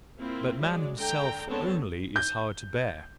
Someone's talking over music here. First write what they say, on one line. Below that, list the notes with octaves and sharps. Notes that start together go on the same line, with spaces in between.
But man himself only is hard to bear!
A#3 C4 E4 F4
F#3 G#3 D5
D3 G5 A#5
D3 G#3 B3 C4 C#5 A5
G6